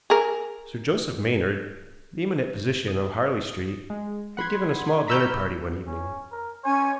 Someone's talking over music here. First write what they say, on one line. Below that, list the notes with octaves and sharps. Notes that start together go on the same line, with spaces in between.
Sir Joseph Maynard, the eminent physician of Harley Street, had given a small dinner party one evening.
G#4 A#4
D#6
G#3
F#5 B5 C6 G#6
A#5 B5 C#6 E6 F6 G6
C#4
A#4
C#4 C#5 G#5